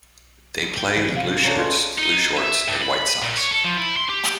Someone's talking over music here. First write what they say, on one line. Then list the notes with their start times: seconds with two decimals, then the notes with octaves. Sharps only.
They play in blue shirts, blue shorts and white socks.
0.78 G4
0.97 E3
1.15 C3 E5 F5
1.44 C#4 D4 A4 A#5
1.57 G#3 C#4 F4 B4
1.98 D#4
2.37 E5
2.68 G2
2.82 B5
3.22 A#2
3.38 C#5
3.51 A4
3.65 F3
3.77 E4
3.97 C6
4.09 G4